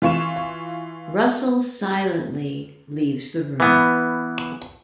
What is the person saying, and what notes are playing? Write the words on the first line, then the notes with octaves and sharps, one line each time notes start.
Russell silently leaves the room.
E3 F4 C#6 E7
E3 B3